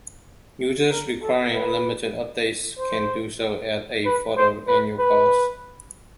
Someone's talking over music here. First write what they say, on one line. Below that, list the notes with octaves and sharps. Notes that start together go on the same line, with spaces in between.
Users requiring unlimited updates can do so at a further annual cost.
A#4
A4
B4
C5
B4
C5
B4
B4